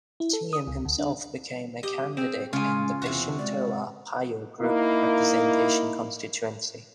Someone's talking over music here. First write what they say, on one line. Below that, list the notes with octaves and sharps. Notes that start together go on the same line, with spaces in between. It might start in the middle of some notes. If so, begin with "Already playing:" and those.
Chiam himself became a candidate in the Bishan-Toa Payoh Group Representation Constituency.
E4
A4
D#6
C#2
D2
D4
G4 D#5
C4 G#4
C#3 G#3 C#4 F4 G#5
E2 C3 F#4
G#3 D5
A#3 D#4 E4